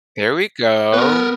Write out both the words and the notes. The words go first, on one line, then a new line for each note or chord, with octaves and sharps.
There we go.
B3 A#4 B4